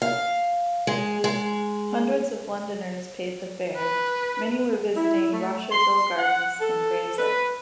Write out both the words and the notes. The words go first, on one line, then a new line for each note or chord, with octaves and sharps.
Hundreds of Londoners paid the fare; many were visiting Rosherville Gardens in Gravesend.
F5
G#3
G#3
B4
E4
A3
C6
F#5
A4
B4